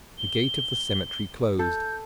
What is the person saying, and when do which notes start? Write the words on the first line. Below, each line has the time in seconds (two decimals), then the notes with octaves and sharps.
The gate of the cemetery closed.
0.17 G7
1.59 A4 G6